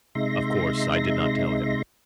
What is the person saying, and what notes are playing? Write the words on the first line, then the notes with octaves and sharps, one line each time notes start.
Of course I did not tell him.
C3 G#3 D#4 E5 C6 A#6